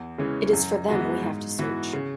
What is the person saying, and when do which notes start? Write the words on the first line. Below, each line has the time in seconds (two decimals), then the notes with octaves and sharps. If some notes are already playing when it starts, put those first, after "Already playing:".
It is for them we have to search.
Already playing: E2
0.18 C#3 E3 G#3 C#4
0.53 F#2
0.88 E3 G#3 B3 F#4
1.23 G#2
1.58 E3 B3 F#4
1.93 C#3